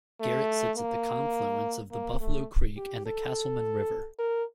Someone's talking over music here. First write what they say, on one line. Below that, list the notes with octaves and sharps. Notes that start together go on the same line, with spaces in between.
Garrett sits at the confluence of the Buffalo Creek and the Casselman River.
A3
A#3
A#3
A3
G4
A4
A#4